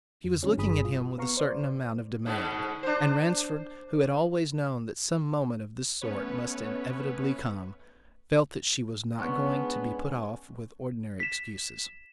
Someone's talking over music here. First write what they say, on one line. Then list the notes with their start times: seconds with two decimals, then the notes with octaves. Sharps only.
She was looking at him with a certain amount of demand--and Ransford, who had always known that some moment of this sort must inevitably come, felt that she was not going to be put off with ordinary excuses.
0.24 F2
0.43 D3 F3 G3 C4 C#4
0.58 G1 G2 G#4 B5 D#6
0.85 F4
1.18 B3 F5 A#5 C#6 C7
1.37 C5 D5
2.26 G#2 B2 D3
2.83 D4 C5
6.02 A3 B3 C#4 B4 C#5
9.19 G#3 B3 C#4 D4
11.20 B6 E7